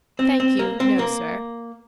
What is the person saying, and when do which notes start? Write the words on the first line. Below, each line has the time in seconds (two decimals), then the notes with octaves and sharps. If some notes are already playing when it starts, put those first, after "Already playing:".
"Thank you, no, sir."
0.19 C4
0.40 C4
0.59 A#3
0.80 C4
0.99 A#3